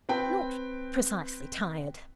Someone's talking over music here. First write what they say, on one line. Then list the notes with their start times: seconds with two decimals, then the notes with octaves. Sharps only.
'Not precisely tired.
0.09 C4 B4 G5